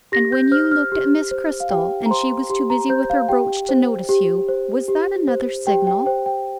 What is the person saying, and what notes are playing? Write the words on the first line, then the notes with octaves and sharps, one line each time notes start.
"And when you looked at Miss Cristel, and she was too busy with her brooch to notice you, was that another signal?"
G4 A#6
G6
C5 F6
F6
G4
C5
F5
G4 G5
A#5
C5 C6
G4 C6
A#5
C5 G6
F5
G4 G5
C5
G4
C5
G4
C5
G4 G5
G5
C5 G5
G5